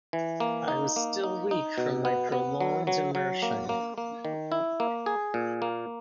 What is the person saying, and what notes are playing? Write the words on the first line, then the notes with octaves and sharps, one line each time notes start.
I was still weak from my prolonged immersion.
E3
A#3
D#4
A#3
D#4
D#4
B2
B3
B3
F#3
F#3
F#3
A#3
A#3
A#3
D#3
E4
A#3
G#4
A#2
A#3